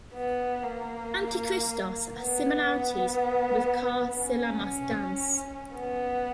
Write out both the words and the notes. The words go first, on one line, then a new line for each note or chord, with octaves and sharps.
Antikristos, has similarities with karsilamas dance.
B3
A#3
B3
C#4
B3